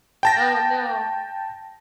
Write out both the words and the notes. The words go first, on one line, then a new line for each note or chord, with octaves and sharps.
Oh, no.
G5 A5 A#6